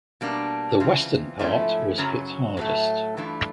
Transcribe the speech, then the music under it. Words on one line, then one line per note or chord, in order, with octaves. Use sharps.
The Western part was hit hardest.
B2 G3 A#3 D4
C#3 E3 G#3 C4 F4
G#2 F3 A3 C#4 E4
F#2 C#3 F#3
A2 F#3 A3
G2 E3 A3 D4 F4